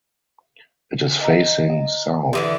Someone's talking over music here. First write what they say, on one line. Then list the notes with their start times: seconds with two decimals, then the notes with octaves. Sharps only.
It is facing south.
1.21 D#5 A#5
2.33 D3 E3 G3 C6 D#6